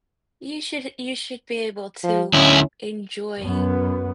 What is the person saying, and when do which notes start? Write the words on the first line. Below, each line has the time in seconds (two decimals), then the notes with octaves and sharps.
you should you should be able to enjoy
2.04 F3
2.34 D2 C#4 E4
3.39 F#2 B3